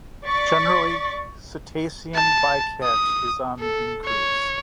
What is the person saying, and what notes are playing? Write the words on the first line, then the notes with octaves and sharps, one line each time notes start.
Generally cetacean bycatch is on the increase.
D5 C#6 A6 B6
A5
D#6
A4
C#5